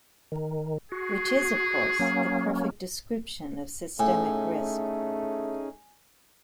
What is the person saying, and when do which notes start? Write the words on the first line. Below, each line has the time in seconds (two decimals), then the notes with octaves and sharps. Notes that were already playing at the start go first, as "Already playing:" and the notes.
Which is, of course, the perfect description of 'systemic risk'.
0.32 D#3
0.92 F#4 G#4
1.99 F#3 A#3 C#4
4.00 A2 A3 C#4 D#4 G#4 G#5